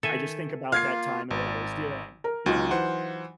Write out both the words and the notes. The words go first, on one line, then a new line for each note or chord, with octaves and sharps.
I just think about that time and what I was doing, you know?
D#3 A4 E5 G#5
A#3 F4 F5 F6 G#6 C7
G#1
A#4
C#2 F#3 D#4 F4
E3 C5 F#5